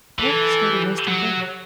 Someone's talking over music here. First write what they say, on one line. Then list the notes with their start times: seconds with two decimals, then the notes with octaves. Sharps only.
The park has got a resting bench.
0.19 E3 A4
0.63 G4
1.07 F#3